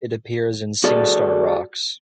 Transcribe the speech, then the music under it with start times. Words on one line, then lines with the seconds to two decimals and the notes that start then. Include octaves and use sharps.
It appears in SingStar Rocks!
0.84 F#4 G#4 A4 D5